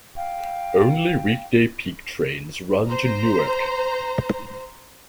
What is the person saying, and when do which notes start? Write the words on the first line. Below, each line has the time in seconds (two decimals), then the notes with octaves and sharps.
Only weekday peak trains run to Newark.
0.17 F5 G5
2.87 C5 A#5